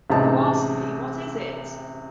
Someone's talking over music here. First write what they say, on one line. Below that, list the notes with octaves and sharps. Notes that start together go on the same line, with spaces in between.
You ask me what is it?
A1 C3 G#3 D#4 A5